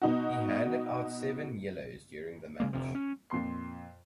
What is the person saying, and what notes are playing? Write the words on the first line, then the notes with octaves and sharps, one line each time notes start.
He handed out seven yellows during the match.
B2 D#4 F#4
C#3 G#3 A#3
F1 D2 C3 F3
C#4
F2 A#2 C6 C7